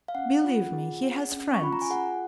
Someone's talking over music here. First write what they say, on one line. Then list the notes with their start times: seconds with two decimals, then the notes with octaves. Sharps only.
Believe me, he has friends.
0.08 F5
0.15 C#4 F#5
0.44 F4
0.73 G#4
1.03 C#4
1.32 C#4
1.54 C#6
1.62 F4 B5
1.73 A#5
1.82 G#5
1.90 G#4 F#5